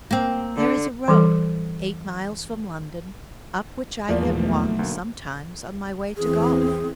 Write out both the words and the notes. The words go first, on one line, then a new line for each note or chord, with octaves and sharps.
There is a road eight miles from London up which I have walked sometimes on my way to golf.
A#3 C4
D3
E3 G3 A4
E2 F3 A#3 D5
G#2 B4
B1 A3
D2 A#3
E2 E3 C4 G#4